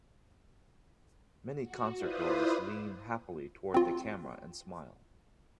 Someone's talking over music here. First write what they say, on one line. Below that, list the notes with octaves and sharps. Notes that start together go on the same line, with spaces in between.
Many concertgoers lean happily toward the camera and smile.
F#4
E4 F4 B4 C5 D5 D#6
C4 F4